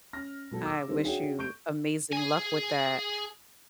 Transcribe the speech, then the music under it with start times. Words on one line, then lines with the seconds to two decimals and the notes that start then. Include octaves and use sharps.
I wish you amazing luck with that,
0.13 C#4 F6 A#6
0.51 B2 F#3 A4
0.65 D6 E6
0.88 D#3 G3 C4 D4 B4
1.04 D4 F#4 G#4 C#5 E5 G5
1.38 F1 C#6 G6 D7
2.12 G#4 G#5